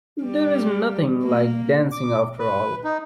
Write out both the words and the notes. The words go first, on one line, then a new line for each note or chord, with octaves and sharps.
There is nothing like dancing after all.
G3
A#3
D6
B4
D#4